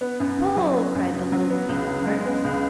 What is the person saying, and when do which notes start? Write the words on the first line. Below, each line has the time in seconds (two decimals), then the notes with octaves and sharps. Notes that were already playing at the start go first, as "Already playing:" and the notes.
"Pull!" cried the little Queen of Hearts.
0.01 B3
0.20 F#2
0.38 C#3
0.57 F#3
0.75 B3
0.95 F#2
1.13 C#3
1.32 F#3
1.50 B3
1.69 C#2
1.88 C#3
2.07 G#3
2.26 B3
2.44 C#2